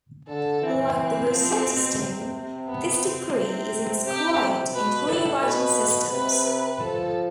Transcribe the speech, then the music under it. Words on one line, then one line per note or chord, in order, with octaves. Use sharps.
Like the Rosetta Stone, this decree is inscribed in three writing systems.
D3 A4
E3 C4
F3
B2
C3
B3
C4
C3
C3 G4
B2 B4
A2 A4
B2 B4
B4
C3 B4
B4
F3 A4